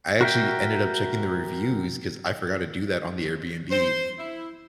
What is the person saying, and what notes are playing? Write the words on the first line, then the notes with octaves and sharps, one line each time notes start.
I actually ended up checking the reviews 'cause I forgot to do that on the Airbnb.
F#4 A#4 E5 G5
C5
E4